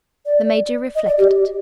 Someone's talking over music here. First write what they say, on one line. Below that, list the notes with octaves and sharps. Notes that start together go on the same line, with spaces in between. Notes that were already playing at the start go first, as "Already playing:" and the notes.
The Major reflected.
D5
D#5
D5
G4